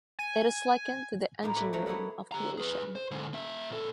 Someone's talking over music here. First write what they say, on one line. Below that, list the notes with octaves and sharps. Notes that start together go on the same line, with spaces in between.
It is likened to the 'engine-room' of creation.
G#5
A2 A#3 D#4
A3 B3 E4 F#4 D5 D#5
F3 F#3 A3 A#5
A#3 B3 E4 G#4 C#5
G4 A#5
G#4 B4
C5
G#2 D3
A#3 E5
A#2 A4